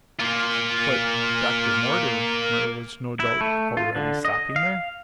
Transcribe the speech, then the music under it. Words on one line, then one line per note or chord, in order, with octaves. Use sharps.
"But Dr. Mortimer was no doubt already stopping there?"
A#3 F4
E4
A3
F4
D3
D#5
F5